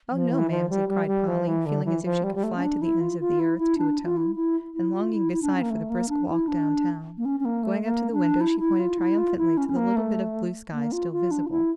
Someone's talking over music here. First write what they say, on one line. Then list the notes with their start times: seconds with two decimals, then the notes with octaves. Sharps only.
"Oh, no, mamsie," cried Polly, feeling as if she could fly to the ends of the earth to atone, and longing beside for the brisk walk down town. Going up to the window she pointed triumphantly to the little bit of blue sky still visible.
0.11 F3
0.31 E3
0.50 F3
0.70 G3
0.89 G3
1.07 G3
1.27 F3
1.47 E3
1.66 D3
1.85 E3
2.04 F3
2.24 G3
2.35 G3
2.43 A3
2.56 C#4
2.62 D4
2.82 E4
3.01 F4
3.20 F4
3.39 E4
3.58 E4
3.78 D4
4.04 F4
4.17 E4
4.36 E4
4.74 E4
4.94 F4
5.13 E4
5.33 E4
5.42 D4
5.52 C#4
5.61 A#3
5.70 A3
5.90 A#3
6.09 D4
6.29 E4
6.48 D4
7.18 A#3
7.25 C#4
7.40 C#4
7.45 A#3
7.63 A3
7.83 A#3
8.12 D4
8.41 E4
8.60 E4
8.80 F4
8.98 E4
9.18 F4
9.38 E4
9.57 C#4
9.69 C#4
9.76 A#3
9.96 A3
10.72 A#3
10.92 F4
11.12 F4
11.31 D4
11.46 F4
11.50 E4